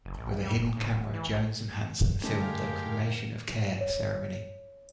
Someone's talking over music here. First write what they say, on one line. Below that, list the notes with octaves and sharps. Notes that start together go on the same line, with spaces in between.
With a hidden camera, Jones and Hanson filmed the "Cremation of Care" ceremony.
F#1
A#1
G3
F1
A2
D1
E3
A#1
F#2 D3 G#3 A3 G4 A#4 F5 G5
C#5